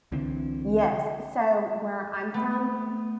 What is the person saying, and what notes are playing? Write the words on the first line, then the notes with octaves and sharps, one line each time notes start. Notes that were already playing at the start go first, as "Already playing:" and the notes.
Yes, so, where I'm from
C2 D3 E3 C4
A3 B3